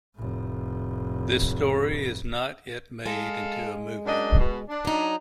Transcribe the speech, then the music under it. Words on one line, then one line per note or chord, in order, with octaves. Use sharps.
This story is not yet made into a movie.
F1 A2
G#3 A4 F5
F#2 D4 D#5
B2
D4
F#3 D#4